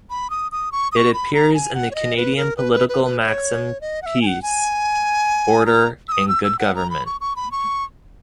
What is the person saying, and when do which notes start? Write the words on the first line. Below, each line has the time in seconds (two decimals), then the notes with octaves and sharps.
It appears in the Canadian political maxim Peace, order and good government.
0.10 B5
0.30 D#6
0.52 D#6
0.72 C#6
0.92 D#6
0.96 C#6
1.14 B5
1.34 A#5
1.54 G#5
1.75 F#5
1.91 C#5
1.95 D#5
2.17 B4
2.37 A#4
2.57 B4
2.73 B4
2.89 B4
3.04 B4
3.20 C#5
3.81 D#5
4.02 F#5
4.06 E5
4.22 G#5
4.27 F#5
4.42 G#5
5.66 A#5
6.08 E6
6.12 D#6
6.28 E6
6.44 E6
6.59 F#5
6.75 A#5
6.90 B5
7.06 C#6
7.21 C#6
7.36 B5
7.51 C#6